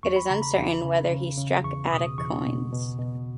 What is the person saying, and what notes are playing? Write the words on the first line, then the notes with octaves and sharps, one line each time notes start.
It is uncertain whether he struck Attic coins.
E2 C#6
B5
C#3 A#5
B5
E2
C#3
C#3
C#3
E2 C#6
B2 D#6
E2 C#6
B2
B2
B2